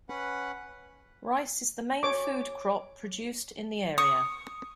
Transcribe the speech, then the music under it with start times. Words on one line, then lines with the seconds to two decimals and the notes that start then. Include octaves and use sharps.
Rice is the main food crop produced in the area.
0.09 C#4 B4 F#5
2.03 C#5 D6
3.98 C#6 D#6